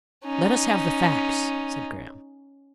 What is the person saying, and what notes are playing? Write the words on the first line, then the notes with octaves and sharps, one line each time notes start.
"Let us have the facts," said Graham.
C#4 D#4